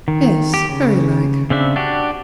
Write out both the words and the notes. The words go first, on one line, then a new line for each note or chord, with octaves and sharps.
'Yes, very like.
D#3
G4
C#3
C#3 C4 D4 E5
D4 F#4 G4